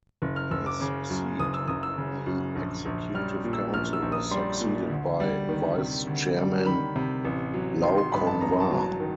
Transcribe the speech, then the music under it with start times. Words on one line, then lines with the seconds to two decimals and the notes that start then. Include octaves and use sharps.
His seat at the Executive Council was succeeded by vice-chairman Lau Kong-wah.
0.22 F#1
0.36 F6
0.51 F#1 E6
0.66 D6
0.80 C#3 D6
1.10 F#2
1.39 F#1 D#6
1.54 E6
1.68 F#1 D#6
1.83 E6
1.98 C#3
2.26 F#2
2.55 A#1
2.85 A#1
3.14 G3 F6
3.44 A#2
3.53 E6
3.73 A#1 F6
3.93 E6
4.02 A#1
4.12 D#6
4.31 G3 C6
4.61 A#2
4.90 D2
5.20 G3
5.49 D#3
5.78 C3
6.07 D2
6.36 G3
6.66 D#3 B5
6.96 C3
7.25 A1
7.54 F#3
7.83 D#3 C6
7.98 C6
8.12 G2 B5
8.27 A5
8.41 A1 A#5
8.60 A5
8.71 F#3
8.80 A5
9.00 D#3